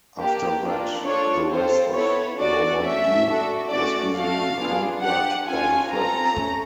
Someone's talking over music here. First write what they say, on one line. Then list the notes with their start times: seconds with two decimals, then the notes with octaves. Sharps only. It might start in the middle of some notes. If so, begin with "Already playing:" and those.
After that, the rest of Normandy was easily conquered by the French.
0.18 A#3 D4 G4
0.62 A#3 D4 F4
1.05 D4 F4 A4 C#5
1.49 C4 F4 A4 C5
1.93 B3 E4 A4 C#5
2.38 D4 F#4 A4 D5
2.81 A3 C#4 F#4 E5
3.25 D4 F#4 A4
3.69 A3 C#4 F#4 A4 D5
4.13 A3 D4 F#4 A4 F5
4.57 B3 D4 F4 G#4
5.02 D4 G4 F#5
5.45 C#4 F4 A4 G#5
5.89 C4 F4 A4 A#5
6.33 A3 C#4